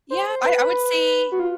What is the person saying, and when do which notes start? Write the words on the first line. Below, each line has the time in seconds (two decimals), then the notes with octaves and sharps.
Yeah, I I would say
0.10 C5
0.28 C5
0.45 B4
1.32 F#4
1.40 F4